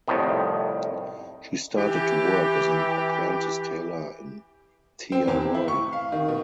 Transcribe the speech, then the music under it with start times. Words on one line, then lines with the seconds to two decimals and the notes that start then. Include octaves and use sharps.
She started to work as an apprentice tailor in Thiaroye.
0.08 C2 F2 A2 D#3
1.77 E3 E4 G4
5.12 C4
5.28 E2
5.41 C4
5.55 E4
5.68 C#6
5.93 F5
6.12 D#3
6.28 B2